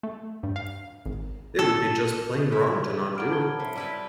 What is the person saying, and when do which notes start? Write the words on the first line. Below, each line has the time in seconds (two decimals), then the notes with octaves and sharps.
It would be just plain wrong to not do it.
0.03 A3
0.43 G2
0.56 F5
1.06 G#1
1.59 A4
2.52 G#3 E4
3.15 A#2 F#3 B5 F6 D7
3.30 A5 G#6 G7
3.60 C3
3.76 G3 E4 B4